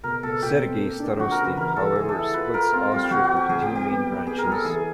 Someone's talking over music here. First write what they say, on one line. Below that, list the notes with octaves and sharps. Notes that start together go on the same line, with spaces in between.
Sergei Starostin, however, splits Austric into two main branches.
B2 A#4
B2 A4
B2 G4
C4
A#3
D4
F3 F#4
A#4
C#3
B4
E3 A#4
E3 A4
E3 G#4
A4
E4
F4 B4
F4 A#4
C4 F4
G3 F4
G4
F3 F#4
F#4
C4
G4
F3 G#4
G4
C4
G4
B3
G3
B3 G#4
A#4
G3
A4
E3 G#4